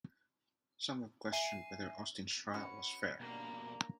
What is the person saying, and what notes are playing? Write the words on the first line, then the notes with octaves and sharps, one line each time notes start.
Some have questioned whether Austin's trial was fair.
E5 G#5 C7 D#7
C#4 F#4 B4 C#7
B2 G3 A#3 D4 A#5